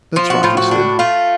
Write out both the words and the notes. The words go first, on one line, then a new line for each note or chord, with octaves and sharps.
"That's right," he said.
F3 F4
F#4
A2 F4
F#4
D4
A3 F4